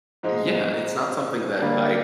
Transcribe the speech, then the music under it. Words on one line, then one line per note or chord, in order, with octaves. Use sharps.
yeah, it's not something that I
G#2 F3 G#3 D#4
D3 G3 A#3 D4